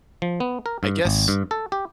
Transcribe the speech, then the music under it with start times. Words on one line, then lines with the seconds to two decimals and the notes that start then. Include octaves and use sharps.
I guess
0.22 F3
0.40 B3
0.66 A#4
0.83 G2
1.05 G#1
1.28 G2
1.51 A4
1.72 G4